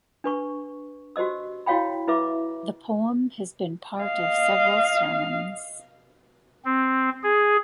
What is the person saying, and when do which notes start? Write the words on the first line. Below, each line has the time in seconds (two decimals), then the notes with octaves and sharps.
The poem has been part of several sermons.
0.24 D4 B4 C#6
1.16 F#4 G4 C5 D#5 E6
1.66 E4 F#4 C#5 F5 G5 B5
2.08 E4 B4 E5 D6
4.03 D#5 F5
6.65 C4
7.23 G#4